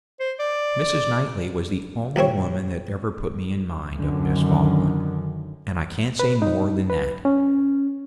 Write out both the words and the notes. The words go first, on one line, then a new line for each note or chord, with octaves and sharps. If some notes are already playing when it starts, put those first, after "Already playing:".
Mrs. Knightley was the only woman that ever put me in mind of Miss Falkland, and I can't say more than that.
C5
D5
A#1 G2 C4 C#5
F#2 D3 D#3
B4
D#4
B4
C#4